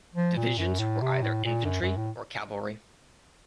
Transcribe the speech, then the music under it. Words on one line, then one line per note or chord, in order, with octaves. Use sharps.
Divisions were either infantry or cavalry.
F3
A#2
F#2
A2
C3
A2
A#2
F#2
F#2
A2